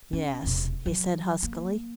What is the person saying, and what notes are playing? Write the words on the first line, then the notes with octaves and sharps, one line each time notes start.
"Yes," he said huskily.
C#4
E1 C3
F#3
A#3